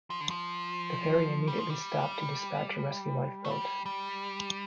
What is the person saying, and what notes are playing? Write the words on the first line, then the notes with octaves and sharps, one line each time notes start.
The ferry immediately stopped to dispatch a rescue lifeboat.
F3
D3
F3
G3
F3
G3
A3
G3
G3